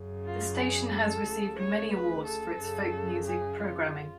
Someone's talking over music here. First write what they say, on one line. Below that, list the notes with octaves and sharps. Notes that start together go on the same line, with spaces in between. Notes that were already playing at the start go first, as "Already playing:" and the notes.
The station has received many awards for its folk music programming.
Already playing: F#2 C#3
F4
G#4
A4
D2 C#3
C#5
B4
A4
F#2 C#3
G#4
F4